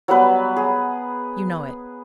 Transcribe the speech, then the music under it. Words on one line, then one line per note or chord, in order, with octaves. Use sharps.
You know it.
F#3 G3 B3 B4
G#4